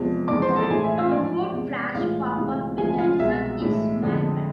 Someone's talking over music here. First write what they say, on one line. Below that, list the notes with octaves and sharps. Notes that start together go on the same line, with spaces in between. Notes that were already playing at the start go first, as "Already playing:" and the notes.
The onboard flash popup mechanism is manual.
Already playing: E2 C3 F3 G#3
F2 E3 G#3 D5 D6
C5 C6
A4 A5
A2 E3 G#3 G#4 G#5
E5
F4 F5
G#2 F3 G#3 D5
E2 C3 G#3
A2 E3 G#3 F4 F5
D2 C3 E3 G#3
D2 C3 F3 G#3 G#4 G#5
F4 F5
C2 B2 G#3 E5
A2 E3 G#3
F2 D3 G#3